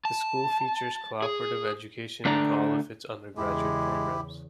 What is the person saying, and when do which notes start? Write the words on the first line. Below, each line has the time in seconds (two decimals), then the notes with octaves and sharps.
The school features cooperative education in all of its undergraduate programs.
0.05 A5
1.22 G#4
2.25 D3 A3 D4 D5 A#5
3.37 E2 C#3 G#3 E4 G4